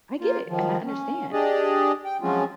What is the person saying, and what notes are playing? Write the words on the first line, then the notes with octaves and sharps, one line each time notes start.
I get it, and I understand.
A#3 F4
D#3 F3
C#4
D4 G4 G#4 D5 D#5
G5
F3 F#3 G#3 C4 C#4 F4